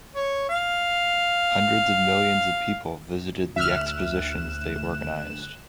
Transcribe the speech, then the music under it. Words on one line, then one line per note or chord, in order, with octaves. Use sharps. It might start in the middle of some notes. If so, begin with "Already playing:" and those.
Hundreds of millions of people visited the expositions they organized.
C#5
F5
D2 E5 F6 F#6 E7